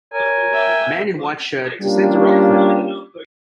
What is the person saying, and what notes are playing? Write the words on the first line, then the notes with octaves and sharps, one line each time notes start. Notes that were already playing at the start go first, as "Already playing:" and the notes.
Man in white shirt descends a rock cliff.
A#4 C#5 G#5
E5 G5
G3 A#3 C#4 D4 F4 G4